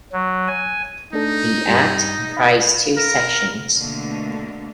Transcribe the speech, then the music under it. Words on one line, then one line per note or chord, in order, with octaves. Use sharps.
The Act comprised two sections.
F#3
G#5
A3 D4 D#4 A4
G2 G3
F5 B5
A#4
B2 D3 A3 A#3